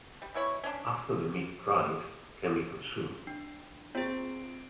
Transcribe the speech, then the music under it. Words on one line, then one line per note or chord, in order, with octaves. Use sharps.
After the meat dries, it can be consumed.
G3
B2 E4 C#5 B5
C#4 D4
D4
C4 F4 G#4